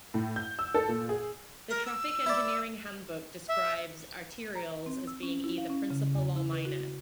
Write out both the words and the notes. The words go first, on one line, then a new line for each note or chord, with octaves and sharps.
The" Traffic Engineering Handbook "describes "Arterials" as being either principal or minor.
A2
G6
E6
A4
A#2
G#4
A#4
E6
E4 D5
E5
A#5
C4
E6
C#4
E4
F5
C#4
C#3
E2
E4
B4
F#4